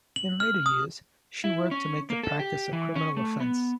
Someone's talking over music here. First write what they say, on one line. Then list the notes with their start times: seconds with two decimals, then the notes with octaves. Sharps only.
In later years, she worked to make the practice a criminal offense.
0.16 F#7
0.40 F6
0.66 D#6
1.44 E4
1.71 C#4
2.10 A#3
2.23 A4
2.40 G4
2.73 E3
2.96 C#4
3.17 A3
3.40 B3